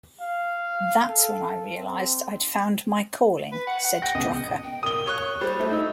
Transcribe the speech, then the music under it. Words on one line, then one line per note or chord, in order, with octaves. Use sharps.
"That's when I realized I'd found my calling," said Drucker.
F5
A4
C4
B4
F#5
F#5
G5 A#6
C#2 B2 D#5
G5
A#4 D#6 G7
C#5 C#6 F#6
G3 C5
A3 C5
D#4 E6